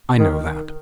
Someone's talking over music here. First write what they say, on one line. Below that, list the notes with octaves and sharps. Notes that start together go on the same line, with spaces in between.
I know that.
D#3